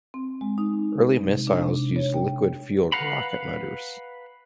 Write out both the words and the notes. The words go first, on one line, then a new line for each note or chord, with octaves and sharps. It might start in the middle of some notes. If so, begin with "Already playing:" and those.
Early missiles used liquid-fueled rocket motors.
C4
G#3
D#4
C3
D4
C3
C#5
G5
B4 F5 F#5 A#5 B5